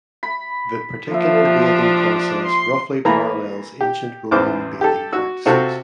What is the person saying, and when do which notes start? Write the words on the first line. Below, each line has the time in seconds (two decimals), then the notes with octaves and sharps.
The particular bathing process roughly parallels ancient Roman bathing practices.
0.23 B5
1.11 F3 A#3 D4 E5
1.45 G4
2.46 C6
3.05 E3 A3 A#3 A#5 B5
3.81 G4
4.31 A1 E2 E3 C5 D6 F6
4.81 G4 A4
5.13 F#4 E6
5.46 C3 C4 F4 F#4 A4